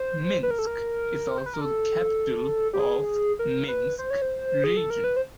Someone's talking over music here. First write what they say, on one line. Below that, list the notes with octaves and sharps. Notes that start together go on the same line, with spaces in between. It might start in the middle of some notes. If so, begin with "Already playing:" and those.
Minsk is also the capital of Minsk Region.
Already playing: C5
B4
A#4
A4
A#4
C5
B4
A#4
A4
G4
G#4
A#4
B4
C5
C#5
C5
G#4
A4
A#4
B4
C5